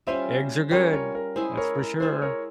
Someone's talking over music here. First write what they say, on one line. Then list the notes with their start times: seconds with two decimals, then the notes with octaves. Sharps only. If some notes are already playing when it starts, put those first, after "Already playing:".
Eggs are good, that's for sure.
0.07 G3 C#4 F4 C5 E5
0.71 G3 C#4 F4 A#4 C#5
0.93 A#4 C#5
1.15 A#4
1.36 G#3 E4 G#4 C5
1.57 A#4 C#5
1.79 A#4
2.00 G#3 E4 G#4 C5
2.22 A#4 C#5